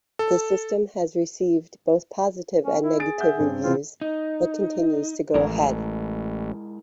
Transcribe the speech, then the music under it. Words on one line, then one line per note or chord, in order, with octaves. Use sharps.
The system has received both positive and negative reviews but continues to go ahead.
A4
C#4
E4
G#4 A6 D7
E5 F#5 G6
G2 C4
C3 E3 C4 F4
D#4
A1 G#3 E4 A#4